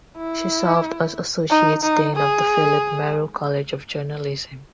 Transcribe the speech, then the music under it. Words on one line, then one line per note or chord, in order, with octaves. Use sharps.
She served as associate dean of the Philip Merrill College of Journalism.
E4
D#4
D#4
G#4